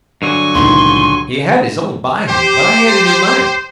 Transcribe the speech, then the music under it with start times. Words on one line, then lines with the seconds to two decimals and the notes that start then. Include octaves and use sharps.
He had his own by him, but I handed him mine.
0.22 G2 D3 F#3 G#5 C#6
0.54 C#2 A#2 D#3 C6
2.30 G4 C5